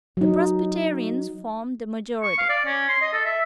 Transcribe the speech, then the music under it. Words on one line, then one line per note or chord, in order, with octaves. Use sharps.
The Presbyterians formed the majority.
F#3 D#4
C#6
F5
D5
C#4
C6
D#5
A4
E5